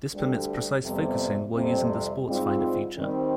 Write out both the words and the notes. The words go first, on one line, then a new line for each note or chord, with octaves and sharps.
This permits precise focusing while using the sports finder feature.
D2 D3 G3
F2 C3 G3 B3
F2 C3 G3 C4
G#2 G3 C4 F4
D#3 G3 C4